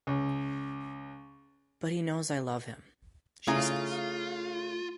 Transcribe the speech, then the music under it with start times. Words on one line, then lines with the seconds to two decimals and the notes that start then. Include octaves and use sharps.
But he knows I love him, she says.
0.07 C#2
3.47 C#3 A3 E4 F4 G#5 A#5